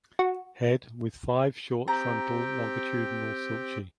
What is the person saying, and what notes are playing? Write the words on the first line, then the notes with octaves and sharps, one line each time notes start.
Head with five short frontal longitudinal sulci.
F#4
C4 G4 G5 A#5